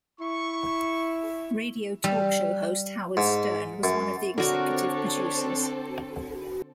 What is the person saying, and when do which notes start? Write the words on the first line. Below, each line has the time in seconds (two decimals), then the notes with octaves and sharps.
Radio talk show host Howard Stern was one of the executive producers.
0.20 E4 C#6
2.04 G3
3.17 G#2
3.84 F#2
4.38 D3 C4 D4 F#4 A4 A#4 C#5